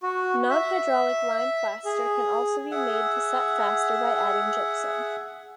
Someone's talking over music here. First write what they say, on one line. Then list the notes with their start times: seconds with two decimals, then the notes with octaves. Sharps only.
Non-hydraulic lime plaster can also be made to set faster by adding gypsum.
0.03 F#4
0.50 E5
1.85 G#4
2.71 G#4 E5 F#5